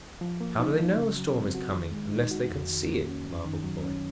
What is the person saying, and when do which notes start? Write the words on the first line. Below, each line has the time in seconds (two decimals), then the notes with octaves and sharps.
"How do they know a storm is coming, unless they can see it?" marveled the boy.
0.21 F3
0.41 A#3
0.60 D#4
0.78 F3
0.97 C#3
1.17 F#3
1.35 C4
1.55 F#4
1.73 D#3
1.92 G#3
2.11 D#4
2.31 F#4
2.50 F2
2.69 D#3
2.87 A#3
3.07 C#4
3.25 F#2
3.45 D#3
3.64 F#3
3.83 C#4